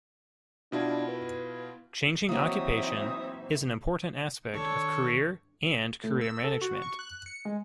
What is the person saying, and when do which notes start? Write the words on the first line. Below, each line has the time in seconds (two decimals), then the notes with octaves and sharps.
Changing occupation is an important aspect of career and career management.
0.72 B2 D4 E4 F4
1.08 B4
2.29 E3 F#3 A#3 C4 D#4 E5 D#6
4.54 D#3 D4 A4 C#5
6.03 A2
6.21 E6
6.44 A4
6.61 F#4
6.82 C#6
6.99 F#6
7.26 C#7
7.45 G#3